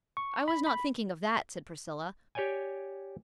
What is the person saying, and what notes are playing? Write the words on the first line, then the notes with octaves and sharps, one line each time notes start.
"I was not thinking of that," said Priscilla.
C#6
B5
B5
G4 C#5 D5 G5 G#5